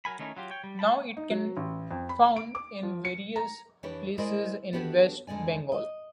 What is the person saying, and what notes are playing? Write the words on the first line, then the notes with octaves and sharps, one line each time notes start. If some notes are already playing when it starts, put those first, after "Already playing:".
Now it can found in various places in West Bengal.
F#3 A#4 G#5 B5
D#3 A3 C#4 D#4 E4
F#3 F4 G4
C#5 G5
G3
F4 A5 B5
D#4
F#3
A1
F2
B5
D7
D6
F3
C#7
A#5
F2 E3 D4 G4 B4 C#5
G#3 E4 A#4 C5 D5 D#5
B3 D4 F#4 G4 A4 B4
F2 D3 G#3 D5 G#5
D#5